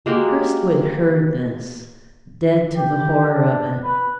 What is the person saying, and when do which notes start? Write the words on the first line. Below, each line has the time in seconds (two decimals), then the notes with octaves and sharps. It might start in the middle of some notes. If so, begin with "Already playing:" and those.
Hurstwood heard this, dead to the horror of it.
0.06 G#3 A#3 F#4 G4
2.77 G4
3.31 D4
3.84 B4